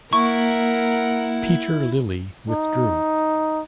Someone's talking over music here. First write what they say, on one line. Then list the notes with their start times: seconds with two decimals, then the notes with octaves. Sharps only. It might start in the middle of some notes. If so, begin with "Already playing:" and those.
Peter Lilley withdrew.
0.13 A#3 E4 A#4 F#5 C#6
2.50 D#4